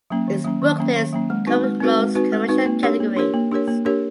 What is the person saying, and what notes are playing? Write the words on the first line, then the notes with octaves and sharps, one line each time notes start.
Its booklist covered most commercial categories.
F#3 A#3 C#4
D#3
F#3 A#3 C#4
D#3
F#3 A#3 C#4
D#3
F#3 A#3 C#4
G#3
C4 D#4 F#4 B4
G#3
C4 D#4 F#4 B4
G#3
C4 D#4 F#4 B4
G#3
C4 D#4 F#4 B4
A#3
D4 G4 A#4 C#5
A#3
D4 G4 A#4 C#5
A#3
D4 G4 A#4 C#5
A#3
D4 G4 A#4 C#5